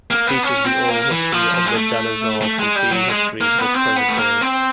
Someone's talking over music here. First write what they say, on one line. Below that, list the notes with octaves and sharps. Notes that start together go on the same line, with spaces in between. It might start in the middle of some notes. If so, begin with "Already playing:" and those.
It features the oral history of the Dane-zaa from pre-history to the present day.
A#3
B3
C#4
C4
A#3
E3
F3
F3
G#3
A3
A3
G#3
G3
F#3
G#3
A#3
B3
C4
B3
A3
A#3
C4